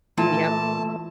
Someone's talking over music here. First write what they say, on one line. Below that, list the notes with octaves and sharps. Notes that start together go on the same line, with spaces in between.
M yep.
A#2 E3 A3 E4 F4 A5